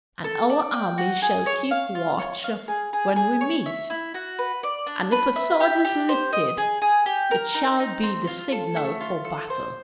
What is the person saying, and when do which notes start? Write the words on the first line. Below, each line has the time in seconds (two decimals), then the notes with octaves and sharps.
"And our armies shall keep watch when we meet, and if a sword is lifted it shall be the signal for battle."
0.24 A4
0.50 D5
0.73 G5
0.98 F#4
1.22 G#4
1.46 C#5
1.71 F5
1.95 F4
2.19 C#5
2.44 F5
2.68 G#4
2.93 G#4
3.16 G#4
3.41 C#5
3.66 E5
3.90 E4
4.14 F#4
4.39 B4
4.63 D5
4.87 D4
5.12 B4
5.36 E5
5.60 G4
5.85 G4
6.09 C5
6.33 D#5
6.58 G#4
6.82 G#4
7.06 G4
7.31 A#4
7.54 D#4
7.80 D#4
8.03 C4
8.27 F4
8.52 A4
8.76 A3
9.00 F4
9.25 A4
9.50 C5